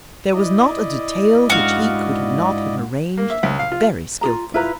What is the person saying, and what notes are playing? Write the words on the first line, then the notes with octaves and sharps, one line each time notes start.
There was not a detail which he could not have arranged very skillfully.
E4 D5 D#5
G#2 D4 F#4 F5
A#3
E5
C#2
F5
F4
F4 G#4 A#5
E4 F4 B4 A#5